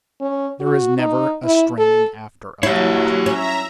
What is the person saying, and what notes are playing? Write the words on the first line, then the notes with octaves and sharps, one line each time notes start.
There is never a straining after effect.
C#4
F#4
D#4
E4
A4
F#3 E4 G4 C#5
C#4 E5 A#5